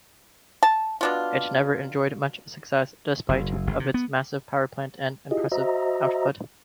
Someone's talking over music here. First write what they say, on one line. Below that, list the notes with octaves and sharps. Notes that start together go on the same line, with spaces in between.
It never enjoyed much success despite of its massive powerplant and impressive output.
A5
B2 D4 F4
F#1
F#1
C3
B3
E4 F4 G4 G#4 D#5
F#4 C5 D#5 E5 A#5